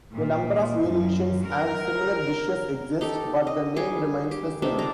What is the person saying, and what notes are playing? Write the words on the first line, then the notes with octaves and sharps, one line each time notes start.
A number of variations and similar dishes exist, but the name remains the same.
A#2
F#2
A#4
D#4 G4 A4
D#5
G3 G#4
G4
C3 D4 D#4 E5
D3 D5 A#5